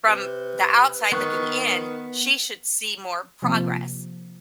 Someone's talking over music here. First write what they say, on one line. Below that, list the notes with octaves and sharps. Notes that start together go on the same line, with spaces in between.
from the outside looking in, she should see more progress.
C3 B4
D#3 B3 C#6 F#6
C3 F3 A#3